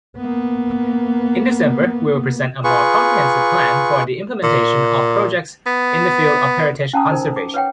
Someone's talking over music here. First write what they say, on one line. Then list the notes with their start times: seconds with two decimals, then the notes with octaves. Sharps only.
In December, we will present a more comprehensive plan for the implementation of projects in the field of heritage conservation.
0.17 A#3 B3
2.64 F4 G#4 B4 C#6
4.43 A#2
5.66 B3
6.93 C#4 F#5 A5 A#5 D#6
7.10 D#4 A#4 C5
7.36 D6
7.54 B4 C#5 F#5 G5